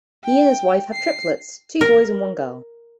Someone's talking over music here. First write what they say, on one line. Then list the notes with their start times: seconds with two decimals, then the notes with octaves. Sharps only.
He and his wife have triplets; two boys and one girl.
0.24 G5
0.94 C7
1.81 A#4